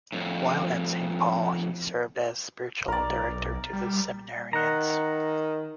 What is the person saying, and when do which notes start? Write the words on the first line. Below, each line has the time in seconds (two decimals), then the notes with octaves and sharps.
While at Saint Paul, he served as spiritual director to the seminarians.
0.12 F2 A2
2.88 B1 A#4 D5
3.73 G3
4.53 D#3 F#5 A#5